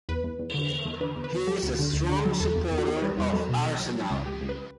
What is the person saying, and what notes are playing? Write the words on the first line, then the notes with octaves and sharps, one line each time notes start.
He is a strong supporter of Arsenal.
E2 B4
E2
E2
D3
E2
E2
D3 B4
E2
B4
E2
F#3 A4
D2
D3
D2
D3
F#3
E2 A4
E2
E2
F#4
E2 G4
C#5
G3 B4
E2 B4
F#3 A4
B2
B2
F#3
F#3
C#2
C#2 G4
C#2
B4